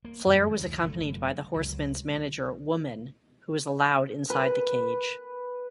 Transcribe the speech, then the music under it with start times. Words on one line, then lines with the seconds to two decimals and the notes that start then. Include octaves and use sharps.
Flair was accompanied by the Horsemen's manager Woman who was allowed inside the cage.
0.05 A#3
0.26 F#2 D#3 F#3
0.57 C#2 D#3 F3 F#3
0.83 F#1 A#2 A3
1.54 C#2 F#3
4.30 B4